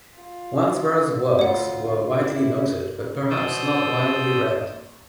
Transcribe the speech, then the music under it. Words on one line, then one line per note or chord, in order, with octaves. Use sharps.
Wansbrough's works were widely noted, but perhaps not widely read.
F4
D2 F4 C#5 F#5
E4 G4
B2 C5 D5 D#6 E6 G6